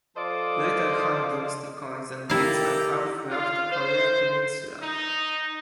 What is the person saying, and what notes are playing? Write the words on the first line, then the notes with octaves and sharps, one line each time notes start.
Later Han dynasty coins and beads are found throughout the Korean peninsula.
F3 A4 C5 D5 D#5 F5
D#3 E4 G4 A4 D5 F5 A#5
F4
C5
D#4